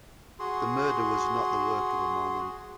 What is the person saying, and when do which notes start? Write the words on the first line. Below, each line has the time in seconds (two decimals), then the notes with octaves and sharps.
The murder was not the work of a moment.
0.39 F#4 G#4 C6